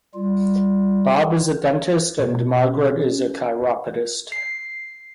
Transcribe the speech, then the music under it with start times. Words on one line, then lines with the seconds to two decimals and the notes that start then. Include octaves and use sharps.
Bob is a dentist and Margaret is a chiropodist.
0.14 G3 F4
2.19 B2
2.68 C#4
4.32 C7